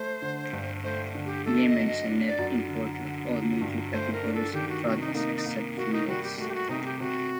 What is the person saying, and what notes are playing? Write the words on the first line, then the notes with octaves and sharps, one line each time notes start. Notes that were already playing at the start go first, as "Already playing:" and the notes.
Yemen is a net importer of all major categories of products except fuels.
Already playing: A3 C5
D3
G2
A3 C5
D3
G4
A3 A4
D#5
F#2
D#5
D4
D5
F#2
D3
D3
D3
G2
A3 C5
A#4
D4
A4
D#3 G4
F#4
C3 F#4
D#4
A#3 D#4
D#4
A#3
A#3 F#4
D#4
G3 F#4
G4
A3 F#4
G4
F#4
C3 D#4
G4
C3 F#4